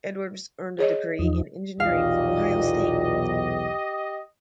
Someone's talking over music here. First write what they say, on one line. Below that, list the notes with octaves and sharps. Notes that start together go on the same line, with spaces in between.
Edwards earned a degree in Engineering from Ohio State.
G#4 C#5 D#5
E2 F3 D#4
B1 E2 A#2 G4 D#5 F5